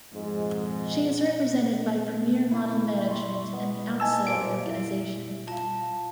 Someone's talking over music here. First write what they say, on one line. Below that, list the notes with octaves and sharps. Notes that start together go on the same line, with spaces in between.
She is represented by Premier Model Management and The Outside Organisation.
F2 G#2 G#3
B3
E4
C6 C#6
B2 B3
D#4 E5 G#5 A5 E6
A#2 F3 D7
E4 E5
F4 F5 A5